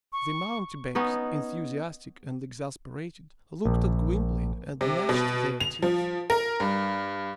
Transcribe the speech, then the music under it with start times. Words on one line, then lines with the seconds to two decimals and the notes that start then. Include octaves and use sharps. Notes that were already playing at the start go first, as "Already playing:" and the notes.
The mountebanks, enthusiastic and exasperated, looked at Gwynplaine and gnashed their teeth.
0.13 C#6
0.95 B3 C#4 D#4
3.65 A#1
4.81 C3
5.09 B2
5.60 F7
5.82 F3
6.30 A#4
6.60 G2